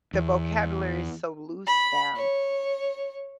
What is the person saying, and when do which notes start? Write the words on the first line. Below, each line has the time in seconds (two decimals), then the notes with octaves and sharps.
the vocabulary is so loose now.
0.13 E2
1.67 B5
2.16 C#5